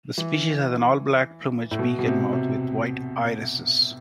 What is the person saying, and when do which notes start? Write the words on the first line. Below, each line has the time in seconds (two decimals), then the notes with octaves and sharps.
The species has an all-black plumage, beak and mouth with white irises.
0.18 E3
1.71 A2
1.79 B2
1.99 B2
2.06 C3
2.33 C3